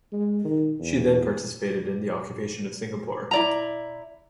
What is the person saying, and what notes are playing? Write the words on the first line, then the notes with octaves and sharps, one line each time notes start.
She then participated in the occupation of Singapore.
G#3
D#3
E2
E4 D5 A#5